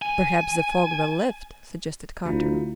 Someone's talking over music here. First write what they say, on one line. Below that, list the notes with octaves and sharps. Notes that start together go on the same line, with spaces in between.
"Perhaps the fog will lift?" suggested Carter.
G#5
D2 E4 F4